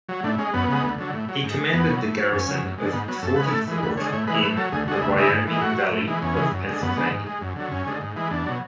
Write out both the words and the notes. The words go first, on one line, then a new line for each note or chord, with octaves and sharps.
He commanded the garrison of Forty Fort in the Wyoming Valley of Pennsylvania.
F#3
A2 D4
G#3 C#4
F#2 B3
C#3 G#3
D2
D3 F#3
A2
F#3
G#2
G#3
E2 B3
B2 F#3
A2
F#3
F#2 C#4
C#3 F#3
F#2
D3 G#3
G#2 B3
F#3 B3
F#2 A4
C#3 G#3 B4
A2 A4
E3 G#3
D2 B4
D3 G#3 C#5
A2 C#5
E3 G#3 B4
A2 B4
F#3 A4
D2 G#4
D3 G#3 F#4
D2 E4
D3 G#3 E4
G#2
E3 G#3
A2 F#4
F#3
A2
E3 G#3
E2 C#4
C#3 E3 G#3
F#2
D3 G#3
F#2 B3
D3 G#3
G#2
G#3
F#2
D3 F#3
F#2 C#4
D3 G#3
G#2
E3 G#3
E2 D4
B2 F#3